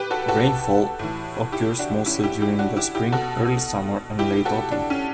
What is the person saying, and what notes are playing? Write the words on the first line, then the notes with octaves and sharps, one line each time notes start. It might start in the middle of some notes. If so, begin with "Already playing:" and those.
Rainfall occurs mostly during the spring, early summer and late autumn.
Already playing: A2 G4 B4
F#4 A4
F#4 A4
A2 E3
E4 G4
D4 F#4
C#4 E4
E4 G4
E4 G4
D4 F#4
E4 G4
E4 G4
B2 F#4 A4
E4 G4
F#4 A4
D4
C#4